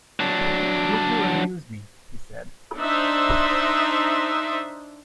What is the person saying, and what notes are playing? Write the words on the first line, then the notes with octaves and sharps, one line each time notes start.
"You two amuse me," he said.
F#3 D4
D4 D#4 C5 E5